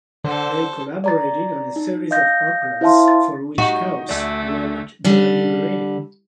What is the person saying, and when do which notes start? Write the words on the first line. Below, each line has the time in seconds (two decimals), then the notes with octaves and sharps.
They collaborated on a series of operas, for which Coutts wrote the libretti.
0.24 D3 A4 C5
1.04 D5 A#5 A6
1.76 D#4
2.11 D#5 F5 G6 A#6
2.81 E4 C5 E5 F5 A5 C6
3.08 A6
3.58 D#4 F#4 G4 D#5
4.09 D2 A3 D5
5.04 D3 G3